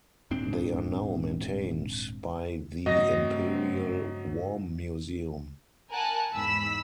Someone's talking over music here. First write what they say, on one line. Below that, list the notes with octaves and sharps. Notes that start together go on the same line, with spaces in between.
They are now maintained by the Imperial War Museum.
D#1 G#2 C4 D4
G2 C#3 F#3 A3 B3 C4 D#5 A#6
A#4 F#5 G#5 A5 F#6
E2 G#2 B5 E6 B6